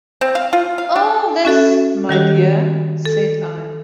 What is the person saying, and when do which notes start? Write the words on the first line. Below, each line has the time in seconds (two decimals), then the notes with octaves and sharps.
"All this, my dear," said I.
0.21 C4
0.35 F5
0.53 F4
0.78 F5
0.96 D4
1.45 C#4 F#4 A4 E5
2.09 D#3 G3 F#4 G4
3.05 A4